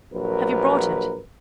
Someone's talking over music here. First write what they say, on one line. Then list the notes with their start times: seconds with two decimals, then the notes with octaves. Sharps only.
"Have you brought it?"
0.13 A#1 F#3 A#4 B4